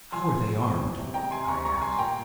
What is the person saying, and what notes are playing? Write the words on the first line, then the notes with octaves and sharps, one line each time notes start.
"How are they armed?" I asked.
F3 G#5 C6
F3
F3
C4
E2
C3
G#3 G5 A#5
C3 G#5 C6
C3 A#5 C#6
G3 A#5 C#6
G3 G#5 C6
A#2 G5 A#5